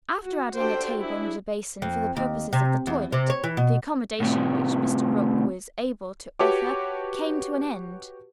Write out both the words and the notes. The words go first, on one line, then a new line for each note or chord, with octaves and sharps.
After adding a table and a basin, for the purposes of the toilet, the accommodation which Mr. Rook was able to offer came to an end.
F#4
D4 F#4 G4 A4 C5 G5
D4 E4 G#4
F2
D#2
C3
E2
C3
C#5
E3
B2
A2 C3
F#4 G4 B4 C#5 A5 D6